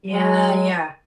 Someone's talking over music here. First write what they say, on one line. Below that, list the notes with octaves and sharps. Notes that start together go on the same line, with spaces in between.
Yeah, yeah.
F#3 G#3